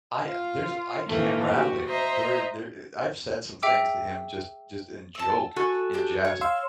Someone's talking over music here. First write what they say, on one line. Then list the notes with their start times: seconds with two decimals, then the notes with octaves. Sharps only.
I there's I can't rattle him. There there I I've said some things to him just just in joke, in jest,
0.24 F4
1.07 A2 D#3 E3 A3 A#3
1.49 F#4 G4
1.85 C5 D#5 E5 A#5
3.62 G#4 E5 G5 D6 E6
5.15 A5 E6
5.56 F#4 A4 G#5
5.93 D4 G4 G6
6.25 C#5
6.41 F5 C6 E6